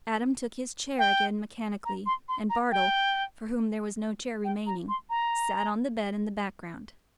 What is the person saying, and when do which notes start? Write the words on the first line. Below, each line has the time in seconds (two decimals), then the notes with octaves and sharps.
Adam took his chair again mechanically, and Bartle, for whom there was no chair remaining, sat on the bed in the background.
0.99 G5
1.85 A#5
2.06 C6
2.29 C6
2.50 A#5
2.72 G5
4.44 G5
4.67 A#5
4.89 C6
5.10 A#5